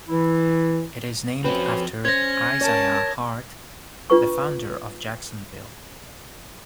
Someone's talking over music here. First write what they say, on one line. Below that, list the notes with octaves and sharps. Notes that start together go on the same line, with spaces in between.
It is named after Isaiah Hart, the founder of Jacksonville.
E3 E4
F3 C4 C#4 F#4 B4
C#4 C5 G#6 A#6
A#4 C#5 A5
D4 F4 B4 C#6